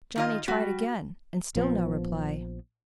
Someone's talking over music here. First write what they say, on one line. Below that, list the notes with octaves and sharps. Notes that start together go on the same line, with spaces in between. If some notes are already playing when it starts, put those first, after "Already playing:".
Johnny tried again, and still no reply.
D#3 F4 D#5
G3 F#4
A#1 F3 B3